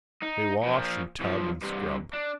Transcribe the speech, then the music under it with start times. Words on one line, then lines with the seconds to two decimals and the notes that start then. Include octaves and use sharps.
They wash and tub and scrub.
0.22 D#4
0.63 A#2 F3
1.20 B1 F3
1.62 G2 C3
2.13 D4